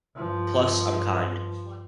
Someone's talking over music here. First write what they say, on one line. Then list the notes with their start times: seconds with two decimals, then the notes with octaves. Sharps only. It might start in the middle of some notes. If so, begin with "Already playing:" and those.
Plus I'm kind.
0.16 G2 F3